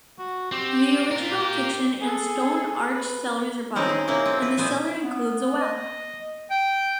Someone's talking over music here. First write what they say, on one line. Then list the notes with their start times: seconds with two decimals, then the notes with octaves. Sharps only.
The original kitchen and stone-arched cellar survive, and the cellar includes a well.
0.19 F#4
0.52 C4 G4
1.11 F4 A#4
1.31 G4
2.01 G#4 A4
2.93 B4
3.76 D#3 C4 C#4 D#4
3.89 G#4
4.08 C3 A#3 C#4 E4
4.26 C4
4.42 B4
4.57 A#2 B3 C5 G#5
5.02 B3
5.61 D#5
6.51 G5